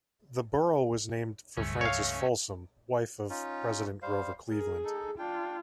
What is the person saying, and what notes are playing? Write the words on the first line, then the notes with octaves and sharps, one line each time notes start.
The borough was named for Frances Folsom, wife of President Grover Cleveland.
C#2 G2 A3 C#4
C#5 F5
C#4 D#4 F4
G3 C5 F5
G#4 A#4
D#4 A4
D4 F4 G5